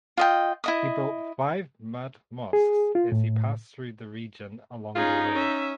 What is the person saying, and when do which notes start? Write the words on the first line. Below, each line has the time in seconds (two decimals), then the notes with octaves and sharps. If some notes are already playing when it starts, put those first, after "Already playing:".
He built five mud mosques as he passed through the region along the way.
0.17 F4 D#5 G5
0.64 E4 D#5 D#6
2.53 G#4
2.95 F4
3.12 A2
4.95 C#4 D#4 F4 G#4
5.36 C#4 E5